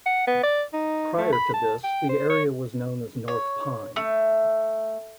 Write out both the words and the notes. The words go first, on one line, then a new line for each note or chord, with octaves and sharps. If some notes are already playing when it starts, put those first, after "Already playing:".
Prior to this, the area was known as North Pine.
F#5
B3
D5
D#4
A3
B5
A5
G5
C5
C#5
C#5
A3